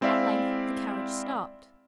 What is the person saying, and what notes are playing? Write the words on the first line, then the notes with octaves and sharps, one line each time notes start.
At length the carriage stopped.
G#3 C4 E4 D5 E5 F5